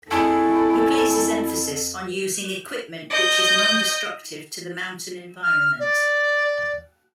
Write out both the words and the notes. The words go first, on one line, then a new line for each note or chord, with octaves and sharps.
He places emphasis on using equipment which is non-destructive to the mountain environment.
F2 A3 D4 E4 G#4 A4
D#5 G6
F6
D5